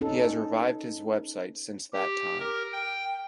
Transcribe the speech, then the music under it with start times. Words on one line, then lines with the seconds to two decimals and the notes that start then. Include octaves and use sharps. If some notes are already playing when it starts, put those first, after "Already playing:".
He has revived his website since that time.
0.01 C#4 D#4 A4
1.93 G4
2.40 A#4
2.72 G5